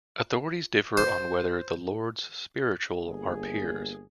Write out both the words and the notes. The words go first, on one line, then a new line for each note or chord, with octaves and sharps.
Authorities differ on whether the Lords Spiritual are peers.
C5
G1 A#3 G#4